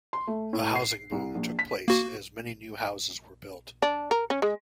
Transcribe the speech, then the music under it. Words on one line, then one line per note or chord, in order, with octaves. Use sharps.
A housing boom took place as many new houses were built.
C6
A3
A2
C7
C2
A#1
B6
A#3 F#4
D4
A#4
C#4
G#3